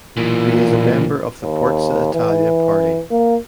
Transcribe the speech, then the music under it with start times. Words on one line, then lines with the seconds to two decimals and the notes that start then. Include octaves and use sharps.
He is member of the Forza Italia party.
0.17 B1 A#2 E3
1.43 D#2
2.13 E3
3.11 A#3